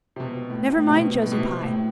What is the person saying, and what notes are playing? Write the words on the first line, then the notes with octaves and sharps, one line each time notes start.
Never mind Josie Pye.
C3
B2
A2
A2
C3
B2
A2
B2
C3
A2